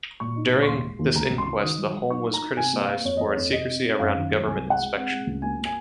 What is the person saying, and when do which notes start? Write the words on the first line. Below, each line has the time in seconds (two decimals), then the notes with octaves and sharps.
During this inquest the Home was criticised for its secrecy around Government inspection.
0.20 A#2 C#6
0.36 D#4
0.52 A#2
0.62 C#6
0.67 D#2 C6
0.84 G#3
0.99 D#2
1.15 C#2 A#5
1.30 C#2
1.38 C6
1.46 C#3
1.62 D#3 D#6
1.78 F#3
1.94 F#3
2.09 D#4 C#6
2.26 D#4
2.34 A#5
2.41 D#4
2.57 C3 G#5
2.73 A#3
2.81 F5
2.89 A#3
3.05 F2 C#5
3.17 F2 D#5
3.29 C#5
3.37 F2
3.52 C3 D#5
3.68 C4
3.83 D#4
3.99 F#2 F5
4.16 D#3
4.31 F#3
4.47 C2 G#5
4.63 G#3
4.70 F#5
4.79 G#3
4.95 C4
5.10 G#3
5.27 C#2
5.42 A#3 G#5
5.58 A#3
5.65 G#5